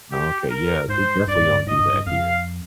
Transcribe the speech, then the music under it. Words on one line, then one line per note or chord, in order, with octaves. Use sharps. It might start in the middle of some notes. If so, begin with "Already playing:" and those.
Oh, okay. Yeah. We definitely don't do that here.
G4
A#4
G#2 C5
G2 D5
G#2
G2
G#2 D#5
G2
G2
F2 F5